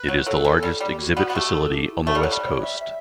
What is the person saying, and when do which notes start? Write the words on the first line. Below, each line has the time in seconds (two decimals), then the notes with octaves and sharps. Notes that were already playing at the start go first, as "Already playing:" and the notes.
It is the largest exhibit facility on the West Coast.
Already playing: B4
0.08 F#3
0.26 F#3 A4
0.45 E3
0.63 G3
0.80 G3
0.87 G4
0.98 F#4
1.17 G3 B3
1.30 B3
1.34 A3 G4
1.48 G4
1.54 A4
1.71 G4
1.89 E4
2.07 A3 A4
2.15 G3
2.23 F#3 B4
2.31 G3
2.44 C#5
2.62 E5
2.79 E5